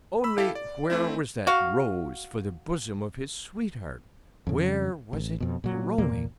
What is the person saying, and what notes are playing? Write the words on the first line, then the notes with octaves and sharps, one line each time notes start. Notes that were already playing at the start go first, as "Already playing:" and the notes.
Only, where was that rose for the bosom of his sweetheart--where was it growing?
B5 E6
E4 G4 A4 F5
D5
A3 C4 E4
F#4 F5
F2 C#3
A1
F2 B2
A#2 F#3
E2 A#2 A#3